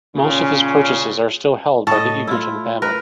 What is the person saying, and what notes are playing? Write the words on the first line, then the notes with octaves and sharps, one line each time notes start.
Most of his purchases are still held by the Egerton family.
A#2 C#3 C#4 F4
A2 A4 D#5
E4 F4
A#4 B4